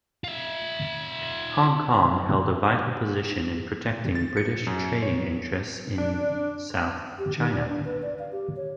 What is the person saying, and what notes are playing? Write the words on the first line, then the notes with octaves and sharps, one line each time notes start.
Hong Kong held a vital position in protecting British trading interests in South China.
F4 E5
A6
C#7
F#2
C#5
D4
G4
D#3
D5
D4
B4
D5
F5
G4
C#5